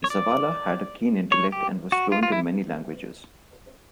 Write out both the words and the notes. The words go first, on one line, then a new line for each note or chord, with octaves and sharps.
Zavala had a keen intellect and was fluent in many languages.
C#5
D5
C#5
G4
F#4
F4
F4
E4